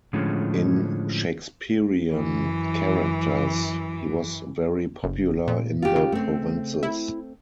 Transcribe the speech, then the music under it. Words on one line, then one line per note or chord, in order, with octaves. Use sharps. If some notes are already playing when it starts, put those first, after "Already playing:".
In Shakespearian characters he was very popular in the provinces.
A2 D3 F3 G#3 C#4
F#2 E3
F#1
A#2
F4 G4
C#3
A3 C4
E4